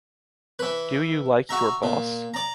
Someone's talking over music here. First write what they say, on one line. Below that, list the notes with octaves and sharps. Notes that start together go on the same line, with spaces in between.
Do you like your boss?
E3 B4
F#4 E5 A#5
A#2
D5 A#5